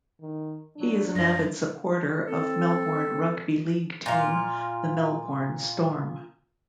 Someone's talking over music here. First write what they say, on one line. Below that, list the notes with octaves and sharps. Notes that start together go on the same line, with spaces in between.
He is an avid supporter of Melbourne rugby league team the Melbourne Storm.
D#3
F#3 D4
F#2 F3 A#6
C4 A4
A#2 F4